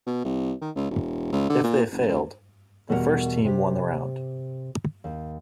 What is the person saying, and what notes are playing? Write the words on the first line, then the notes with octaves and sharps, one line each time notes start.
If they failed, the first team won the round.
B2
C2
D#3
C#2
E1
C#2
D3
A#2
F#1
C#2
E2 B2 G3 A4 A#4 F#5
C3 G4
D#2